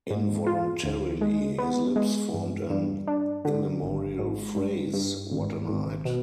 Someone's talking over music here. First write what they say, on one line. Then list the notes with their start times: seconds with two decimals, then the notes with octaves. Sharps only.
Involuntarily his lips formed an immemorial phrase: "What a night!"
0.10 G#2
0.47 F4
0.84 D2
1.21 G#3
1.58 B3
1.96 G#3
2.34 G2
2.70 G2
3.07 D4
3.45 D3
3.82 G#1
4.19 G#2
4.56 G2
4.94 G2
5.32 G#1
5.69 G#1
6.05 B2